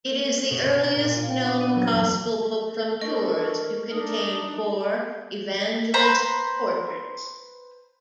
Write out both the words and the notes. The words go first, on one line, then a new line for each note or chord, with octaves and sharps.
It is the earliest known Gospel Book from Tours to contain four Evangelist portraits.
G6
D7
B2
B2
A#5
A#2
F4
G5
D4
D#7
F#3
E2
D4 A4 A#4 D#5 C#6
A#4
D4 D#4 D#6
B4 C5 A#5